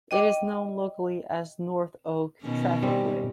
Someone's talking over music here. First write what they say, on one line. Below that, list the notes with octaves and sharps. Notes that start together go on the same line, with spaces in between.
It is known locally as North Oak Trafficway.
D#5 G5 D6
B2 D#3 C#4
G3 C4